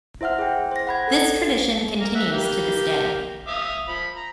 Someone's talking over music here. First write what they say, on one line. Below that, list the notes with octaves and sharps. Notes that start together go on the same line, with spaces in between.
This tradition continues to this day.
E4 C5 E5 F#5 F6
G#4 G5
C5 A#6
F#5 B5 G#6
A4
A#3 A#4
E5 F#5
G3 A#3 G4
E5 F5 D#6
F3 B5
A#5